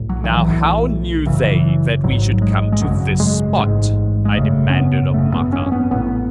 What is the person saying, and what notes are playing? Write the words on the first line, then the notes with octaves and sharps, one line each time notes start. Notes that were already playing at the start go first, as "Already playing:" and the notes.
"Now, how knew they that we should come to this spot?" I demanded of Maka.
Already playing: B1 A2
F#3
D#3
E3
B1 A2
F#1 F#2 C#3 E3
F#3
E3
A1 G#2 F#3
G#3
G#3
G#1 F#2 C#3 F#3
G#3
A1 G#2 G#3
G#3
G#1 F#2 C#3 A3
C#4
B3
G#1 F#2 C#3 A3
B3
C#4
C#4
B3
A1 A2 B3